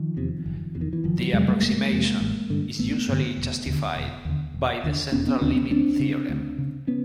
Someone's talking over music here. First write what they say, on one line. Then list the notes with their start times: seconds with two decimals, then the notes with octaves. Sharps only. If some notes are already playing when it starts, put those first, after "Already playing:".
The approximation is usually justified by the central limit theorem.
Already playing: D#3 F3
0.17 E2 C3
0.46 F#1
0.75 E2 C3
0.81 D#3
0.93 E3
1.04 F#1 D#3 F3
1.19 E3 F#3
1.33 F2 C3 F#3 G#3
1.48 G3 A3
1.62 F#1 G#3 A#3
1.92 F2 C3
2.21 A1
2.50 G2 D3
2.79 A1 A3 B3
3.08 G2 D3
3.37 E1
3.66 D#2 D3
3.96 E1
4.25 D#2 D3
4.54 E1
4.84 D#2 D3
5.12 E1 B3 C#4
5.27 B3 C#4
5.41 D#2 D3 C4 D4
5.56 B3 C#4
5.70 D2 C4 D4
6.00 C#3
6.29 D2
6.58 C#3
6.87 B3 C#4